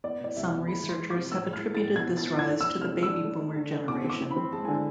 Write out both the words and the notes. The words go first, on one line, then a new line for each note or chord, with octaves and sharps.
Some researchers have attributed this rise to the baby boomer generation.
B3 D5
B2 D5
C2 E5
B2
G#3 B5
E3
C6
G#3
D6
C3
A2 E6
G#3
F6
G#3
A6
A2
B2 G#6
B2
A6
F4
D4 G#6
D4 E6
C3
F6
G#3
E6
D4
A3
A3
D3
D3
B2 D6
C4
D6
C4
B5
C4
G#3 A5
D3 G#5